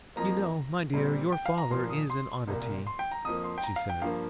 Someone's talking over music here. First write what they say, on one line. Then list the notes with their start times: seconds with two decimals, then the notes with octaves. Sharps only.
'You know, my dear, your father is an oddity,' she said.
0.16 F2 F3 A#3 A#5
0.94 A#2 G3 C4
1.32 G5
1.46 F5
1.58 A#5
1.71 A#2 F3 A#3 C6
1.90 D#6
2.10 C6
2.48 C2 A#2 A#3
2.87 C6
2.99 G5
3.11 A#5
3.25 F2 F3 A#3 D#6
3.44 C6
3.58 G5
3.63 A#5
3.76 F5
3.90 G5
4.02 G2 F3 A#3 F5